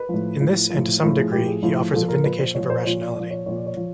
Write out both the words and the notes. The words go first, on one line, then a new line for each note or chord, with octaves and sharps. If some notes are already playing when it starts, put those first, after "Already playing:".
In this, and to some degree, he offers a vindication of irrationality.
Already playing: B4
A2 F3
A2 F3
F3
A2
A2 F3
G#4
A2 F3 G4
G#4
A2 F3
A#2 F3 A4
A#4
A#2 F3 B4
C5
A#2 F3 C#5
C5
A#2 F3 C#5
D5
A#2 F3 D5
C#5
A#2 F3 C#5
D5
C#5
F3